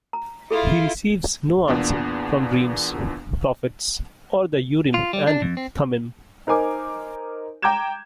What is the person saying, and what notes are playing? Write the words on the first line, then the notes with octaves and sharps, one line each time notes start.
He receives no answer from dreams, prophets, or the Urim and Thummim.
A#5
E4 F4 G#4 A4 E5
E2 A#2 B3 D4
F4
G3
D4
F2
C4
D#4 A#4 C5 G#5 D6
G5 A#5 D6 G6 G#6 E7